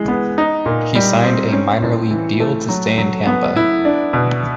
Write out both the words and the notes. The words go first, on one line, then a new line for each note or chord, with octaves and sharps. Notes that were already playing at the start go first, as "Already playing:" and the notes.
He signed a minor league deal to stay in Tampa.
Already playing: E3 G#3
B3
D#4
A#2
G3
C4
C#4
A2
E3
A3
F#3
F#3
B3
E4
D4
B2